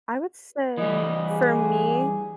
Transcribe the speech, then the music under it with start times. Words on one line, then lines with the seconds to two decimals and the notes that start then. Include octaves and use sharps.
I would say for me,
0.78 E3 G3 D#5
1.30 G#4